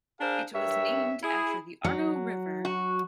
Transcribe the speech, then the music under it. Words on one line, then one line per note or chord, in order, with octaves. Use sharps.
It was named after the Arno river.
D4 G#4 A#4 C5 F5
G2 A#4 C#5 E5
E4 G#4
F#3
F#4